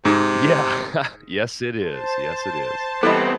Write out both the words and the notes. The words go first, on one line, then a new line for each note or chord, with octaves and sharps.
Yeah. Yes. It is. Yes. It is.
G#2 C3
C5 A5
E3 G3 B3 C4 A4 D#5